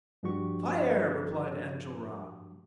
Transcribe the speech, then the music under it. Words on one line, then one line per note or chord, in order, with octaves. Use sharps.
"Fire!" replied Enjolras.
G2 F3 D4 F#4 G4 C#6